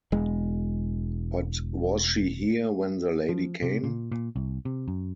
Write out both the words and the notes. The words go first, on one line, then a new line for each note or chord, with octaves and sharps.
But was she here when the lady came?
E1 G#3
F3
C3
A#2
A#2
C2
C3
F#2